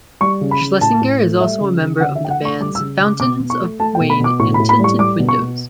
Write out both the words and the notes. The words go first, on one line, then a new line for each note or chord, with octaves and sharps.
Schlesinger is also a member of the bands Fountains of Wayne and Tinted Windows.
G3 C#6
C#3
B5
C#3
A2 A5
A2
A3
G3 E5
C#3
C#3
D3 F#5
E5
D3 G5
F#5
A3 C#6
G3 D6
E6
C#3
C#3 D6
B2 D6
B2
C#6
A3
A3 A5
G5
B2
B5
B2 D6
A2 C#6
B5
A2
B5
G3 C#6
G3 D6
B2
C#6
B2